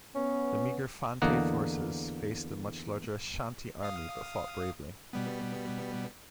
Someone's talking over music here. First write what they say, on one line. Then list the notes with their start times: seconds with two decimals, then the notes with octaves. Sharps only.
The meagre Fante forces had faced a much larger Ashanti army, but fought bravely.
0.15 B3 C#4
1.22 E2 D3 A#3 D#5 F#5
3.83 F5 D#6
5.13 B2 G3 B3